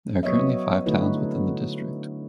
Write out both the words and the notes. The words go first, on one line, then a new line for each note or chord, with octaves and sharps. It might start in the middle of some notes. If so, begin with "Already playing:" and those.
There are currently five towns within the district.
F#3 B3 C#5 D#5 E5
D3 A3 D#4 E4 F#4 B4